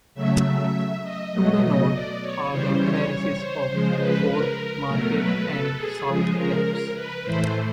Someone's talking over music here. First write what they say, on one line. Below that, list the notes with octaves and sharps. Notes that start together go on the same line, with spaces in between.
To the north are the parishes of Thorpe Market and Southrepps.
C#3 F#3 A3 E5
D#5
B2 F#3 A3
D#5
D5
C#5
C#3 E3 G3 C5
C#5
C5
C#3 F3 G#3
B4
A#4
B2 F#3 A3
B4
A4
G#4
C#3 F3 G#3 G#4
A#4
B4
A2 E3 A3 C5